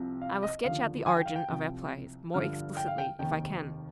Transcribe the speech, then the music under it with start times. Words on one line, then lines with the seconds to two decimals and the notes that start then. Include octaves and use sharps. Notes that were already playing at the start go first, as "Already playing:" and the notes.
I will sketch out the origin of our plays more explicitly if I can.
Already playing: C2 C3 F3
0.22 F5
0.43 D#5
0.64 D#2 D3 F3 F5
1.06 G#5
1.17 G5
1.26 F5
1.36 G5
1.49 C2 C3 F3
2.34 G1 G2 D3 F3 F6
2.77 G5
2.88 F5
2.98 G5
3.19 F1 D#2 D#3 G5